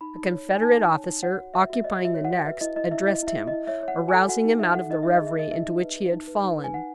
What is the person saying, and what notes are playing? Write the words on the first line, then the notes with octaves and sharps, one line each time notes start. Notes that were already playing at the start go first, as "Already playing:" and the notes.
A Confederate officer, occupying the next, addressed him, rousing him out of the reverie into which he had fallen.
D#4 B5
D#4
C#5
D#4
G#5
D#4 A5
D#4
C#5
D#4
C#5 F#5
F#4
F#4 E5
F#4 E5
C#5 D#5
F#4
E5
C#5
F#5
F#4
B4 E5
E4 D#5
E4 D#5
E4 E5
E4 D#5
E4 E5
E4
D#5
E4
C#5 E5
C#5 F#5
F#4
A4 G#5
F#4 F#5
D#4
D#4 E5
A4 F#5
D#4 D#5
D#4 E5
D#5
G#4
E5
D#4 D#5
D#4 E5
D#4
B4
B4
D#4
B4
D#4
B4
G#5
D#4 F#5